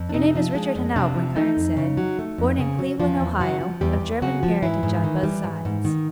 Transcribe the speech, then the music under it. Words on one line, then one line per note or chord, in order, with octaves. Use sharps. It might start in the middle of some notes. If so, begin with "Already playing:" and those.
'Your name is Richard Hanau,' Blenkiron said, 'born in Cleveland, Ohio, of German parentage on both sides.
Already playing: F2
D4
C3 D#4
F3
G#3 D4
F2
C3 D4
F3
A3 D#4
F2
C#3
F#3
A3
F2
C#3
F#3
E2 F3 F4
E2
C#3 F#3 F#4
F3
E2 G3 G4
E2
C#3 F#3 F#4
F3
G#2 E3 E4
G#2
D#3
G3
G#2
G#2
D#3